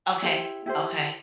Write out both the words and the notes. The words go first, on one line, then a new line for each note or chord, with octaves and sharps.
Okay. Okay.
E4 G4 C5
E4 G4 C5